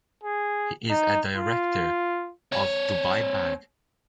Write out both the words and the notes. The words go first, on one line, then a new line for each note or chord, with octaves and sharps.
He is a director of Dubai Bank.
G#4
D#4
F4
C4 C#5